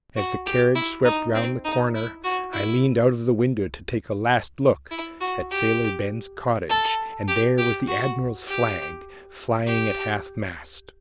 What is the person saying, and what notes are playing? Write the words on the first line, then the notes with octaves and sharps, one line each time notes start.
As the carriage swept round the corner, I leaned out of the window to take a last look at Sailor Ben's cottage, and there was the Admiral's flag flying at half-mast.
F#4
G4
E4
D#4
C4
D#4
E4
F#4
E4
E4
F#4
G4
A4
G4
G4
F#4
G4
G4